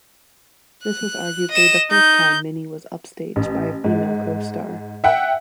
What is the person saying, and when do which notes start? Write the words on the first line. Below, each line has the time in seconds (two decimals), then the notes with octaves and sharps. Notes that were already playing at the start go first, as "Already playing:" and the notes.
This was arguably the first time Minnie was upstaged by a female co-star.
0.82 F#6
1.51 D#5 E7
1.91 D#4 G6
3.36 A1
3.84 G#2
5.04 E5 F#5 G5